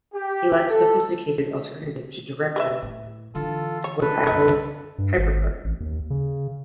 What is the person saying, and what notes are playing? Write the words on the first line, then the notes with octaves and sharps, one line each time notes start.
A less-sophisticated alternative to Director was Apple's HyperCard.
G4
A4
G4 B4 E5
A2
D3 E3 F4 A4
C#5
A4 B4
C2 F#2 D#4
G2
G#1
A1
D#2
C#3